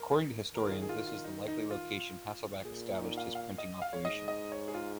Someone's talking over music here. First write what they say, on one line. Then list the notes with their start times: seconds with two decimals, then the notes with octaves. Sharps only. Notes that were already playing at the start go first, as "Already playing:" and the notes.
According to historians this is the likely location Hasselbach established his printing operation.
Already playing: A#4
0.55 D#3 A#4
0.67 F4
0.72 G#4
0.82 G#4
0.89 F4
1.07 F4
1.24 D#4
1.48 D#4
1.71 F4
2.65 A#2 G#4
3.00 D#4
3.17 F5
3.35 F5
3.58 D#5
3.82 F5
3.93 C#5
4.05 G#2 D#5
4.28 D#5
4.52 C#5
4.68 G#4
4.74 F4